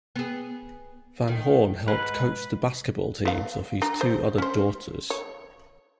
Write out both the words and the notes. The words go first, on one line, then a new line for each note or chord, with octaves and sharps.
Van Horn helped coach the basketball teams of his two other daughters.
B3 G#4
D#3
G#2 B4
B3 F5
D4 A#5
C5
C#4 C5
C#5